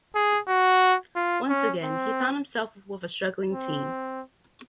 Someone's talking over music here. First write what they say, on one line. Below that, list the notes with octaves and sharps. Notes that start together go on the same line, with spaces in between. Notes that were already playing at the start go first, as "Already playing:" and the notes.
Once again, he found himself with a struggling team.
G#4
F#4
F4
C#4
C4
C4